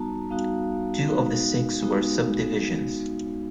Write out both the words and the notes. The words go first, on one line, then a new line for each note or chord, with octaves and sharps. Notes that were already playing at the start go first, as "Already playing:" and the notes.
Two of the six were sub-divisions.
Already playing: G3 B3 D#4 F#4 A5 A#5
G3 B3 D#4 F#4 F5
G#3 B3 D#4 F#4
G#3 B3 D#4 F#4